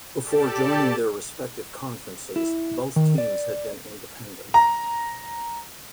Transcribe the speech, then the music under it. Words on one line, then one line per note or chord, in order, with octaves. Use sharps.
Before joining their respective conferences, both teams had been independent.
G4 A4 D5 A5
E4
D#3
D5
A#5